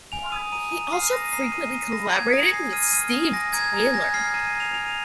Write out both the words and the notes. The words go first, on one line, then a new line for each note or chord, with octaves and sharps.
He also frequently collaborated with Steve Taylor.
G#5 F7
D#6 D#7
A#5 D#7
A#5 D#7
F6 C7
D#6 A#6
D#7
A#5 C7
A#5 D#7
A#5 D#7
A#5 A#6
A#5 G#6
D#6 A#6
G#5 C7
F6 D#7
F6 D#7
D#6
G#5 A#6
A#5 G#6
A#5 G#6
G#5 A#6
F6 C7
A#5 D#7
D#7
A#5
F7
G#5 F7
D#7